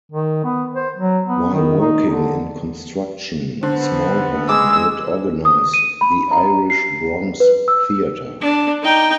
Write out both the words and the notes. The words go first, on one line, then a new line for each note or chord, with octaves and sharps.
While working in construction, Smallhorne helped organize the Irish Bronx Theater.
D#3
B3
C5
F#3
B3
D#3
D#4
D3
D3 B3 C5
G#3 D6 E6
D#6
D#7
B5
A#5
C7
B4
E6
D4
D#4 G5